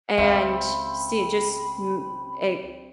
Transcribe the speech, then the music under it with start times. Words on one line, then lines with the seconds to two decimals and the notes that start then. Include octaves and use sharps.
and see just m e
0.18 C#2 C4 E5 F5 B5